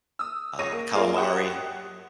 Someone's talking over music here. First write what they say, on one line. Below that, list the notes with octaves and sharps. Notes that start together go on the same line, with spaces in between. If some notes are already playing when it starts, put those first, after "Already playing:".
uh, calamari.
D#6 E6
C#2 C#5 C#6 A#6 D#7
A#3
A#3 F4 G#4
G4 F#5 D#6 E7